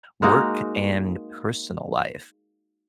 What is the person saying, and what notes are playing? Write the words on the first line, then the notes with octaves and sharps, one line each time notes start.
work and personal life.
G#3 A#3 D#4 F#4